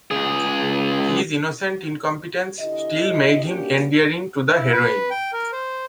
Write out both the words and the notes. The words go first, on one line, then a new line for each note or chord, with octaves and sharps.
His innocent incompetence still made him endearing to the heroine.
C#2 G#4
D3 E4 G4 D#5
G2 A#3 C#4 D4 F#4 G4
E4
B4
G5
A#4
C5